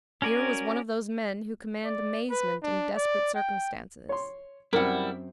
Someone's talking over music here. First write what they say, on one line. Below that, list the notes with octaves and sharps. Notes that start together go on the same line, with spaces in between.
Here was one of those men who command amazement in desperate circumstances.
C#4 F#4 A#4 D5 G#5
D5
B4
D4
D5
G5
C#5 C6
F#2 G3 C4 E4 A#4 F#5